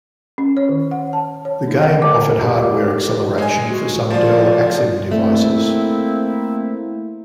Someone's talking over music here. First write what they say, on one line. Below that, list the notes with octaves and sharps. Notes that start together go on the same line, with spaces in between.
The game offered hardware acceleration for some Dell Axim devices.
C#4
C#5
D#3
F#5
A5
C#5
D#4
F#5
D6
A#4
G4
G#3 G#5
F#4
F3 F4 D5
A3 A#3 C4 E4